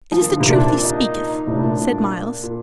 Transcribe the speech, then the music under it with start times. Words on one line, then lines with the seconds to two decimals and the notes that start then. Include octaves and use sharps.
"It is the truth he speaketh," said Myles.
0.12 F3
0.21 D#3
0.31 D3
0.40 C3
0.50 A#2 D4
0.82 D#4
1.46 A2 C3 D4
1.58 A2
1.63 A#2
1.80 A#2
2.43 A#2